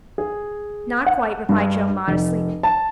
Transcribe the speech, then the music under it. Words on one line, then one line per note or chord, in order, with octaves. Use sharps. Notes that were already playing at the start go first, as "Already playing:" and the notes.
"Not quite," replied Jo modestly.
G#4
F#5
G2
F1
A5